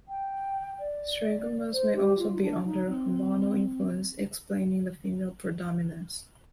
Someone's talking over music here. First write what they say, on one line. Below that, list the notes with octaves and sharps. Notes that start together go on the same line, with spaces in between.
Syringomas may also be under hormonal influence explaining the female predominance.
G5
D5
C5
G4
F4
D#4
D4
D#4
C4